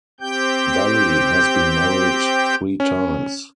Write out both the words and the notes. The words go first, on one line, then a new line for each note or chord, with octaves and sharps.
Valli has been married three times.
C4 G4 G5 G6
C#4